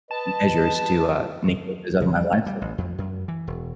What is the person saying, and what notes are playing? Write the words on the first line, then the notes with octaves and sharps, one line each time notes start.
measures to, uh, negate those out of my life so I
B4 D#5 A5
C#3
G3
A3
G3
A1
F2
F#2
E3
E1